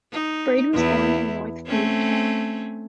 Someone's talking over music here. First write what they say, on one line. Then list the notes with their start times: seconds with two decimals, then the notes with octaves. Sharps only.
Braid was born in Northfleet, Kent.
0.12 D#4
0.73 E2 E4
1.66 A3 C4 C#4